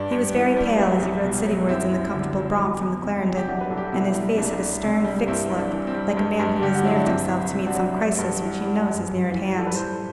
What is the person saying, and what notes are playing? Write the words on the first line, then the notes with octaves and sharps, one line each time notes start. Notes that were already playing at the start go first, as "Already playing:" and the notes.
He was very pale as he rode citywards, in the comfortable brougham, from the Clarendon; and his face had a stern, fixed look, like a man who has nerved himself to meet some crisis, which he knows is near at hand.
Already playing: G2 D4
G2
E3
G3
C2
C2
B2
F#3
F#2 C4 E4
F#2
D3
F#3
E2
E2
C3
F#3
G4
C2 D4 F#4
B4
C2 A4
G4
F#4
B2 C4 E4
G3
E4
C2 D4
C2
C3 D4
G3
G2 C4 E4
G2
D4
E3
C4
G3
G2
G2
D3 G4
F#4
F#3 E4
D4
C2 C4
C2
C3
D4 F#4
F#3
G2
G2
E3
G3
F#2
F#2
E3
G3
A4
B4
A2 A4 C5